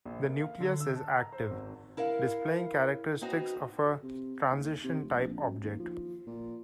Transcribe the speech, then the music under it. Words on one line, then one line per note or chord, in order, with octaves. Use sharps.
The nucleus is active, displaying characteristics of a "transition" type object.
A#1
A#4
F5
D3
E6
A5
A#5
C5
G#1
E4 A#4 F5 F#5
B3 C4 D#4 F#4
C3
D#2
C3
F1
A#1
F#2
D#2
F3
A#2